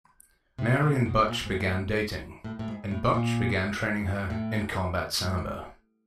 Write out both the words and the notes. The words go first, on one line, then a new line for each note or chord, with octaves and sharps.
Mary and Butch began dating, and Butch began training her in Combat Sambo.
C3
B2
B2
A#2
G#2
A2
A2
A2
G#2
A2
A#2
A2
G#2